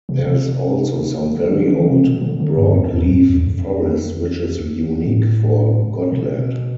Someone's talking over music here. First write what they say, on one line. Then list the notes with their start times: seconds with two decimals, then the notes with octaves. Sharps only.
There is also some very old broadleaf forest, which is unique for Gotland.
0.09 C3
0.26 C3
1.51 D3
1.68 E3
1.86 C3
2.05 B2
2.21 D3
2.40 D3
2.57 G2
2.76 F2
2.93 E2
3.11 F2
3.29 E2
3.46 F2
5.05 A2
6.12 B2